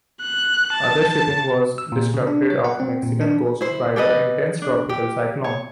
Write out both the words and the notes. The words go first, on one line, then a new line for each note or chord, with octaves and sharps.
Other shipping was disrupted off the Mexican coast by the intense tropical cyclone.
F#6
A5
E6
A#2
C#3
D4
C#5
F#5
C4
A#2
D4
E4 C5
G4 A4 B4 D#5
D4
G4
C#5